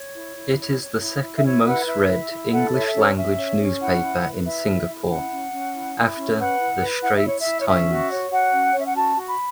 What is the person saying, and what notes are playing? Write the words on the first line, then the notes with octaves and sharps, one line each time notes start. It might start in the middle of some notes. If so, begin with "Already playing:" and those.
It is the second-most-read English-language newspaper in Singapore, after "The Straits Times".
Already playing: C#5
E4
E4
C#5
C#5
E4
E4
E5
E4 C#5
B4 F#5
E4 E5
E4
E4
A4 F#5
C#5 E5
E5
C#4 C#5
C#4 E5
C#5
C#4
E4 F#5
E4
B4
E4 E5
E4
E4
C#4 F#5
C#4
C#4
E4
E4
C#4
B4 F#5
E4
B4
E4 F#5
E5
E4 C#5
E5
E4
C#5
C#4 E5
F#4
C#5
F#4 F#5
C#4
C#4 C#5
E5
F#5
F#4 A5
F#4
B5